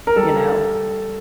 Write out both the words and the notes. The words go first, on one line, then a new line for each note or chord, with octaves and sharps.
you know,
A#4
G3 A4